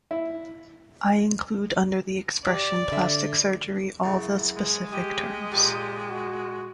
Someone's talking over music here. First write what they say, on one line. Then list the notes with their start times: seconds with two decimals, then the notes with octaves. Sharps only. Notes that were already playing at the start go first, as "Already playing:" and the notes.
I include under the expression plastic surgery all the specific terms.
0.11 E4
2.47 G4 D5
2.92 D3 E5
4.04 F#2 C#3 E4
4.56 G#3
4.93 G4 D#5
5.52 A#2 G4
6.10 F#4